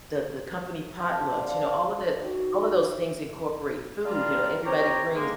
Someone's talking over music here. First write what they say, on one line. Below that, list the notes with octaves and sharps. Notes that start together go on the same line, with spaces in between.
the the company potlucks, you know, all of that all of those things incorporate food, you know, everybody brings
C3 G4 A4
D3 F5
D#3 F#4
G3 D4 F4 A#4 F5
C4 G4 C#5 A#5
G#3 A#3